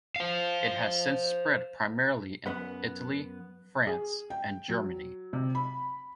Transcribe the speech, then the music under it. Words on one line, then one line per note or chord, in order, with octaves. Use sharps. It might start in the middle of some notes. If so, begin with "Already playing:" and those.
It has since spread primarily in Italy, France and Germany.
C5 F5
F#2 B3 B4 F#5
G#4
G5
F#3
C3
B5